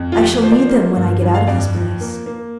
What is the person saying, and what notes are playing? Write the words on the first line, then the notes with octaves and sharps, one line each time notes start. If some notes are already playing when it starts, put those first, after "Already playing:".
I shall need them when I get out of this place.
Already playing: F2
F4
F3 G4
F3 C5
D5
C5
A#3
G2
G2
F5
F2 D5
F3
A#3
A#3